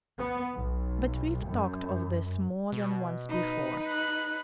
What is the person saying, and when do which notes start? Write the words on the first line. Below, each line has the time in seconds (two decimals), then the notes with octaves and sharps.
But we've talked of this more than once before.
0.18 B3
0.55 B1
1.47 F#2
2.72 B2
3.29 D#4 B4
3.88 F#6